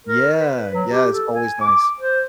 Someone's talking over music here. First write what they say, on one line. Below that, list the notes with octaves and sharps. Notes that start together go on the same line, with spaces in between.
Yeah, yeah it's always nice.
A#4
B4
F#3
G4
A4
G#5
D6
C5